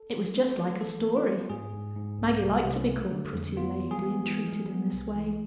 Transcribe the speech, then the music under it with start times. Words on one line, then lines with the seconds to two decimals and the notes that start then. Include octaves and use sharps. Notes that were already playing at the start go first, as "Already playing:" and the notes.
It was just like a story; Maggie liked to be called pretty lady and treated in this way.
Already playing: A4
0.13 C4
0.36 A3
0.59 A3
0.81 E3 A4
1.04 B3
1.16 F4
1.28 B3
1.50 G#2 G#4
1.73 G#2
1.96 G#2
2.18 C2
2.42 C2
2.65 C2
2.88 A3
3.11 D3
3.33 F2
3.56 B3 F4
3.80 E3
3.91 G#4
4.03 B3
4.25 E3
4.48 G#3
4.70 B3
4.93 C2
5.16 E3